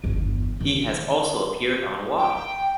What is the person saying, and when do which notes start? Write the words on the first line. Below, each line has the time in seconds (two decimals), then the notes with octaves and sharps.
He has also appeared on Wah!
0.04 G1 E2
0.60 D#3 E3
2.18 G5